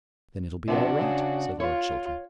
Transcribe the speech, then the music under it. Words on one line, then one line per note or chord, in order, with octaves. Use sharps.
"Then it'll be all right," said Lord Chiltern.
C3 F3 B3 D4 F#4
C#3
F4 C#5